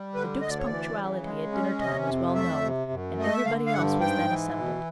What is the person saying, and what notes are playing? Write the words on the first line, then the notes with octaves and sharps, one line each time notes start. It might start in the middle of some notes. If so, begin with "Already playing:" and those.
The Duke's punctuality at dinner-time was well known, and everybody else was then assembled.
Already playing: G3
D3 B4
D2 D#5
D5
C#5
E3 D5
C#3
G#3
C#4
C3 D#5
F2
A3 E5
C3
F#2
A3 D#5
E5
D3 F5
F5
G2 F#5
G#2 G5
E3
B2